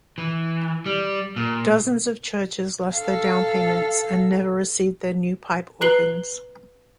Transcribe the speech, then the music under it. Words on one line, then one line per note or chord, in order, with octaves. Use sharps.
Dozens of churches lost their down-payments and never received their new pipe organs.
E3
G3
A#2
A4 F5
B4 A#5 F#6 C7 F#7 G7